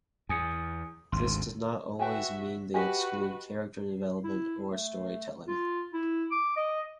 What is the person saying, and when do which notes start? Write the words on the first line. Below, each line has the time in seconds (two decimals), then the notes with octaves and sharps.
This does not always mean they exclude character development or story-telling.
0.29 E2 G#5 D#6 C#7
1.12 G#1 D2 C6
1.99 F#4 B4 E5 G5 G#5
2.74 F#4 G4 B4 D#5 G#5
4.24 E4
4.72 A3
5.47 F4
5.93 E4
6.31 D6
6.57 D#5